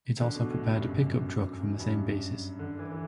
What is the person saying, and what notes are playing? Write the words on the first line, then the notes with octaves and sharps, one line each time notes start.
It also prepared a pick up truck from the same basis.
D3
B2
A2
G2
F#2
F#2
F#2
G2
D3
E3
E3